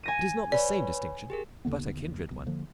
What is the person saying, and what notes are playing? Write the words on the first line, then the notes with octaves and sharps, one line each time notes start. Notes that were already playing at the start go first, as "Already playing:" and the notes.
It is not the same distinction, but a kindred one.
G#5 A#6 D#7
B4 C#5 D5 B5
G4 G#4 A#4
D#2 D3 A#3 B3
B1
D3 F3 A#3